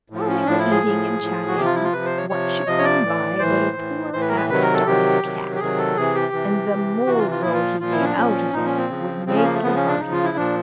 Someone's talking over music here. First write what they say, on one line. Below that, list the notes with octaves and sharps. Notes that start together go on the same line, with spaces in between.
While they were eating and chatting, what should come by but a poor half-starved cat, and the moll-row he gave out of him would make your heart ache.
A2 F3
C#4
A2 F3 D4
E4
G#4
A2 F3
A2 F3
F#4
C3 F3 G4
F4
E4
F4
C3 F3 B4
C5
C#5
C3 F3 C#5
C3 F3 D#5
C#5
D5
A2 E3
A2 E3 C5
A2 E3
A2 E3 C5
B4
A#4
B4
C3 D#3 F#3 B4
A#4
A4
C3 D#3 F#3 G4
C3 D#3 F#3
G4
C3 D#3 F#3 G#4
A4
C3 E3 G#4
G4
C3 E3
C3 E3
C3 E3 F#4
F4
F4
A#2 F3 E4
F4
A#2 F3 F4
E4
C#4
D4
A#2 F3 C#4
A#2 F3 D#4
C#4
C4
C#3 F3
C#3 F3 C4
C#4
A#3
A3
C#3 F3 B3
C#4
D4
C#3 F3 D#4
F4
E4
A#2 F3 D4